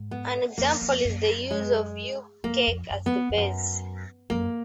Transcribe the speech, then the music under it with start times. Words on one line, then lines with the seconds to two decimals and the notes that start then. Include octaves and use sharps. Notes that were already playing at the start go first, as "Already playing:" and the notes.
An example is the use of ube cake as the base.
Already playing: G#2
0.11 B3
0.58 F2 A#3
0.82 F2
1.04 F#2
1.51 G#3
2.44 F#2 A#3
2.67 F2
2.90 F#2
3.06 B3
3.30 F2
3.37 F#2
4.30 F#2 A#3